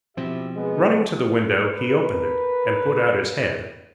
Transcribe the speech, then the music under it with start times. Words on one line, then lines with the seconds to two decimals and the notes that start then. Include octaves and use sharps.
Running to the window, he opened it, and put out his head.
0.17 B2 F3 C4 E4 G4 E5
0.56 G#3 B3
1.73 A#4 B4